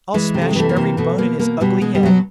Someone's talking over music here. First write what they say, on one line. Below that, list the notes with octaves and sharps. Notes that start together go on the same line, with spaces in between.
"I'll smash every bone in his ugly head."
E3 G#3
C3
A3
G#3
E3 A3
A#3
C3
B2 A3
B2 A#3
B2 A#3
B2 G3
B2 G#3
G3
B2 F#3